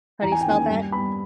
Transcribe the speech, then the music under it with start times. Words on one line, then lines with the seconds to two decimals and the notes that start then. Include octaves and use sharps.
How do you spell that?
0.22 E2 A#5
0.32 G#5
0.41 G5
0.46 D#3 A#3 C#4 G#5
0.70 G2
0.92 G3 B3 B5